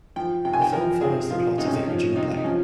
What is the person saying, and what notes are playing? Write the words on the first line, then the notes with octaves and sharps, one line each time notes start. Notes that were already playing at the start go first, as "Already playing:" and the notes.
The film follows the plot of the original play.
F3 G5
C3 G5
G#5
G5
F3 A#4
C3 G#4
F3 F4
C3 D#4
C#4
D#4
F3 C#4
C3 D#4
D#4
F3 C#4